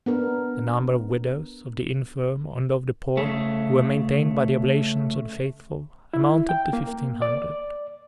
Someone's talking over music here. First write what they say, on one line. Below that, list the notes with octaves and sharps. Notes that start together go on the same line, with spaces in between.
The number of widows, of the infirm, and of the poor, who were maintained by the oblations of the faithful, amounted to fifteen hundred.
B3 D4 A#4
C#3 A3
E4
G5
A#3
D5